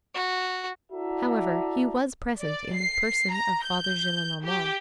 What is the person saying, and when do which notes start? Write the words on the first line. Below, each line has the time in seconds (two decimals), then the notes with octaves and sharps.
However, he was present in the person of Father Gillenormand.
0.15 F#4
0.92 E4 F#4 A4 D5 E5 A#5
2.41 D5
2.75 C7
3.33 A#5
3.64 G6
4.44 G4